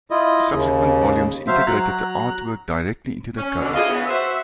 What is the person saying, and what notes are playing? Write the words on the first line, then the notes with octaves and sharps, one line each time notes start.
Subsequent volumes integrated the artwork directly into the covers.
E4 F4 D#5
D#2 C#3
F#3 C5 E5 F5
F#3 A#5 F#6
C#4
B2 D3
E4 F4 G#4 D#5 F5
C#3 B3
F#4 C5 E5